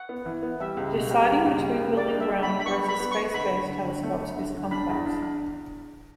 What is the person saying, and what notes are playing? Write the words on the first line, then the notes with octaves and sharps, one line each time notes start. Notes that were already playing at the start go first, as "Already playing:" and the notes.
Deciding between building ground- versus space-based telescopes is complex.
Already playing: F#5
B3
E3
B3
G3 E5
C#2
B2
G3
C#2
C#2
G3
C#2
G3 D5
D4
E5
D4
B5
D4
B5
B3 C#6
B3
B5
B3
C#6
B3
D2 B5
D2
D3
D3
A3
D2
D3
D3
D4 B5
E2
D4
D4